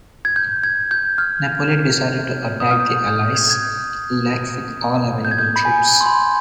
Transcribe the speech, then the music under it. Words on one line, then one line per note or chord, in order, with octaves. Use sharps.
Napoleon decided to attack the allies' left with all available troops.
G#6
G6
G#6
G6
F6
D#6
F6
G6
G6
G#6
G#6
G6
G6
G#6
G6
B5
G#5
C6
B5